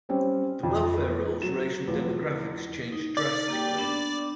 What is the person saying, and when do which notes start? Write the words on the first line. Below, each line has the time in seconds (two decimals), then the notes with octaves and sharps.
The welfare rolls racial demographics changed drastically.
0.09 G3 C4 C#4
0.63 F2
1.02 B3
1.42 F#3 E7
1.87 E2 A2 F3
2.92 D#4
3.17 D5
3.48 A#3 G4 G5
3.78 B3 D4